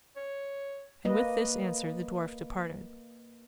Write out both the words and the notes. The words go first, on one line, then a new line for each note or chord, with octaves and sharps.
And with this answer the dwarf departed.
C#5
A#3 B4 D#5